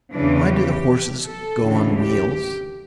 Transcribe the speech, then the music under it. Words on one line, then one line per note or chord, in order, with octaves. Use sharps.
"Why do the horses go on wheels?"
E2 C#3 E3 D4
G4
A4
D2 C#3 E3
G4